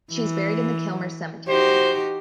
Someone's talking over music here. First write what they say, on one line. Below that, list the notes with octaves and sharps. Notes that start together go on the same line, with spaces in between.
She is buried in the Kilmuir Cemetery.
E3
D#4 F#4 G4 C5